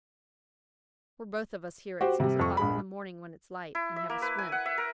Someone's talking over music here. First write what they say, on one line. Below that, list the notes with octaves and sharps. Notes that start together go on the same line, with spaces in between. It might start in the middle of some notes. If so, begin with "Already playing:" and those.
We're both of us here at six o'clock in the morning, when it's light, and have a swim.
F#4 G4 C5
C3 G3
F2 C#6
A#1 G#3 B5
E4
E5
A#3
B4
G#5
F#5
E5
A#4